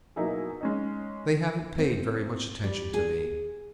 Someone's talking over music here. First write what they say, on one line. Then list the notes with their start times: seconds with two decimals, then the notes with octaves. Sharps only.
They haven't paid very much attention to me.
0.16 B2 F#3 A#3 D#4 E4 G#4
0.61 G#3 C#4 D#4
1.78 C4
2.64 G3
2.94 G#4